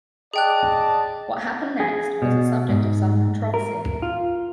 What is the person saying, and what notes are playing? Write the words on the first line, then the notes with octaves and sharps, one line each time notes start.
What happened next was a subject of some controversy.
G#4 D5 D#5 G5 A5 F#6
G#4
B2
G#2
A#4
F4